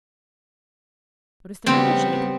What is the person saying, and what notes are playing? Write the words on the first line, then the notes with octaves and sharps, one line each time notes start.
'What is the matter, Jegu?
C#3 G3 B3 C4 C5